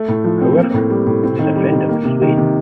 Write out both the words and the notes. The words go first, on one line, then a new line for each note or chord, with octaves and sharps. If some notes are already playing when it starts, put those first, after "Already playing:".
However, he was a friend of Bruce Wayne.
Already playing: A3
A2
F3
C4
A#3
A2
G3
A2
C4
D#3
G3
D#3
A#3
C3
D#3
C3